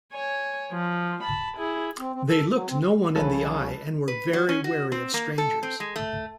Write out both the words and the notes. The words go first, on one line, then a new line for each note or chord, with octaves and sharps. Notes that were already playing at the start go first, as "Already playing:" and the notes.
They looked no-one in the eye and were very wary of strangers.
C#5 G#5
F3
A5 B5
E4 G#4
C4
C4
A4
F#3
C4
C2 C#3 F3 G#3 G#4 A4 B4 C#5
B4
F#3
C#4
F#4
C4
A#3
A4
C4
G#3
A3